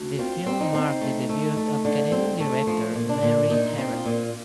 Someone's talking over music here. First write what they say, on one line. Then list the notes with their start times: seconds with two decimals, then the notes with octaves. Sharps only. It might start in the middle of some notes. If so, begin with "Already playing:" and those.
The film marked the debut of Canadian director Mary Harron.
Already playing: D2
0.19 C4 F4
0.46 C4
0.60 D#4
0.74 C4
1.01 A3
1.29 A3
1.57 A3
1.85 D3
2.12 C4
2.40 A3
2.67 F3
2.95 A#2
3.09 D4
3.23 A#2
3.50 A#2 D#4
3.78 C4
3.92 F4
4.06 A#2